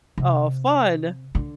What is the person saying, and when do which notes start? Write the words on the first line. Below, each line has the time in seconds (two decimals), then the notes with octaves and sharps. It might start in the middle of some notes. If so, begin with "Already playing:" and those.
Oh, fun.
0.18 C3
1.35 D3